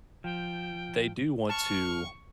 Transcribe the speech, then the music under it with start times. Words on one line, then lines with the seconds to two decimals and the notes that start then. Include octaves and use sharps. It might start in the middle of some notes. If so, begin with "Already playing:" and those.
they do want to
0.24 F3 G5
1.49 A5 C#6 F6